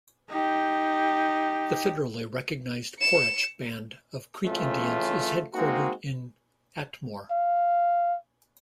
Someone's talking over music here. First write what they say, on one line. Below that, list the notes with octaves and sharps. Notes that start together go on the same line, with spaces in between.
The federally recognized Poarch Band of Creek Indians is headquartered in Atmore.
D#4 G4
C#7 E7
F2 C#3 E3 A3 C#4 F4
G#3 A#3 C4 D#4 F#4
F5